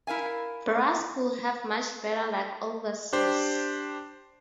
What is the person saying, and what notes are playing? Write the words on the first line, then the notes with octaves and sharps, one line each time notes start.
Brask would have much better luck overseas.
E4 A#4 F5 G#5
D4 G4 C5